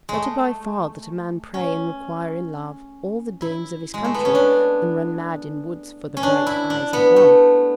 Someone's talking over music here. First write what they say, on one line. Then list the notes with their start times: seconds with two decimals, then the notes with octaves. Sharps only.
Better by far that a man pray and require in love all the dames of his country, than run mad in woods for the bright eyes of one.
0.09 G#3 A3
1.54 C#4
3.42 E4
3.94 G#3
4.04 A3
4.14 B3
4.25 C#4
4.35 D4
6.17 C#4
6.23 D4
6.47 E4
6.70 D4
6.93 B3
7.16 A3